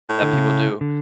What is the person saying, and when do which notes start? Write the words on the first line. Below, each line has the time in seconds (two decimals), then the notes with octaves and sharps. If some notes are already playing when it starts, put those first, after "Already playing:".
that people do.
0.09 A2
0.22 D3
0.33 C#3
0.81 D3